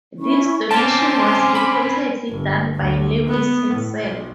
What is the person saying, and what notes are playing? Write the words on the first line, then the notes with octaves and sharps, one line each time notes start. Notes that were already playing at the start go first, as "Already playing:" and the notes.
This donation was reportedly done by Lewis himself.
C#4 E4 C#6
C4 C#4 G#5 A5 C6 D6
B5
G1
D2
B3
A2
B1